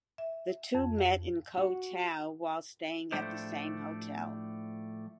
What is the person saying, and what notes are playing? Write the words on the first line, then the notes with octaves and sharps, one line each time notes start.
The two met in Koh Tao while staying at the same hotel.
E5
F2
F5
F#4
A2 F3 A3 D4 C5